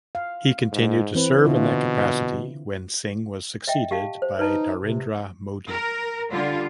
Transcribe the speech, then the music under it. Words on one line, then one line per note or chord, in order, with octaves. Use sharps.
He continued to serve in that capacity when Singh was succeeded by Narendra Modi.
F5
G#2
E3 C4 B4
B2 D3 E4 F4
D#5 E5 G5
G4 F5 A5
C5
D#4 B4 A5
C3
A#4
D3 G3 F4